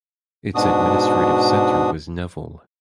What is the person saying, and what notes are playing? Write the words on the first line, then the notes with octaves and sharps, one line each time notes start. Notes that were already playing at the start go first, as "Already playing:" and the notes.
Its administrative centre was Nevel.
G#2 B2 D4 F#4 D#6